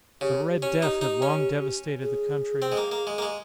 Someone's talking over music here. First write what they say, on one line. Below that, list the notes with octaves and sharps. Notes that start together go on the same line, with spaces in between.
THE "Red Death" had long devastated the country.
C#3 G4
C#4
D#4 G4
D#4
C#4
G#4
C4
G#3
A#3
A#3
G#3
A#3
G#3